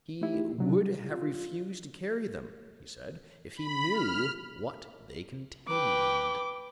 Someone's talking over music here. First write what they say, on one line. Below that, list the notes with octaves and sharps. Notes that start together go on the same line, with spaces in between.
He would have refused to carry them, he said, if he knew what they contained.
A3 D#4 E4 G4
C3 F#3 D4
G3
F4
B5
F6
B4 G5 D6